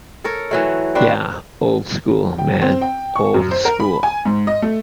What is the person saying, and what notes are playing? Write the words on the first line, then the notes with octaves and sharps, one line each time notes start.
Ya, old school, man, old school.
A4 A#4 C#5
E3 F#3 A3
C4 D4 F#4 B4
G5
C4
G5
C#6
F#2
C5
A#4
B5
G#5
G#2
D#5
A3